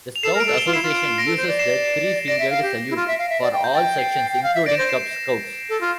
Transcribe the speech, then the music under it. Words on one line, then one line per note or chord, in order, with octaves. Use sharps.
The Scout Association uses the three-fingered salute for all sections, including Cub Scouts.
F7
A4 C7 E7
A#4
D7 F7
A4
E7 G7
F4
E4 C7 E7
F4
D7
C7
A#6 D7
A4
C5
D5
C7 E7
D5 A#6 D7
E5
F5
G4
E4
F4
E5
F5
E5
D5
G5
G6
G5 A6
C7
G5
F5
E5
D5 A#6 D7
E7
C5 A#6 D7
C7 E7
C7
A4
F4